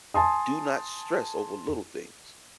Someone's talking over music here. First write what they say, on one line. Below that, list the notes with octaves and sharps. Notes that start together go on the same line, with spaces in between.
Do not stress over little things,
G#5 A5 C6 D#6